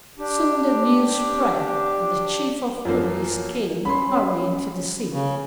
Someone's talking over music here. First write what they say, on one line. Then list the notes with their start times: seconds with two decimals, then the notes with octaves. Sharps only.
Soon the news spread and the chief of police came hurrying to the scene.
0.19 D4 G4
2.85 F#2 F3 A#3
3.85 C#4 B5 C6
5.13 C#3